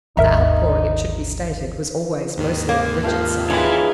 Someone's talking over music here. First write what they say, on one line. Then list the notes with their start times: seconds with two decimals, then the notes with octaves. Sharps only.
The outpouring it should be stated, was always mostly on Bridget's side.
0.17 G#1 D#2 D#4 A#4 E5 A#5
2.38 D#2 G#2 D#3
2.69 A#3
3.03 F3 F5 G5
3.50 E3 G#3 C#4 D#4 E4 G#4 B4